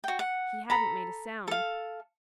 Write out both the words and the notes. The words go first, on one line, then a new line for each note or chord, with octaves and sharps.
He hadn't made a sound.
F#4 G5
F#5
A4 A#5 B5
A4 F5